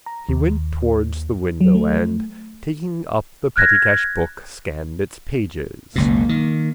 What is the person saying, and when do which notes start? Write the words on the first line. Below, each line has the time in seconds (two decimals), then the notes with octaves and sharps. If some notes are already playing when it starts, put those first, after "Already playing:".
He went towards the window and, taking up the pettycash book, scanned its pages.
0.06 A#5
0.29 D#2
1.61 F#3
1.75 A3
3.56 F6 F#6 G#6 A#6
5.96 F#1 C#2 B2 A#3
6.29 D#3